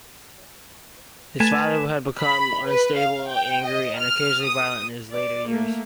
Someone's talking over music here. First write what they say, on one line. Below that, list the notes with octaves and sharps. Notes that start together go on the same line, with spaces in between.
His father had become unstable, angry and occasionally violent in his later years.
A3 B4 G#5 A5 A6
B5
B4
F5
G5
D#5
F6
D#6
D5
A3 A#3